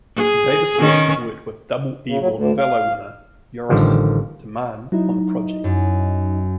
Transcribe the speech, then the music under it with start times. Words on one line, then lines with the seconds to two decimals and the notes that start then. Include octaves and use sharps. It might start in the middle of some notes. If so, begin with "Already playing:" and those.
Davison worked with double Ivor Novello winner Joris de Man on the project.
0.16 G#4
0.80 D#3 C#4
2.07 C#3
2.20 F#3
2.33 D2
2.59 F5
3.69 A1 D3 D#3 F3 G3
4.92 F#3 D#4 E4
5.64 F#2